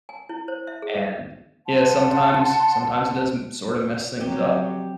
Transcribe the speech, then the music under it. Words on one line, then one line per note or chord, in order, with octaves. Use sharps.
And, yeah, sometimes sometimes it does m sort of mess things up.
G#5
E4
C5
E5
G#4
F#5 A5 C6
D3 F3 F#3 C4 G4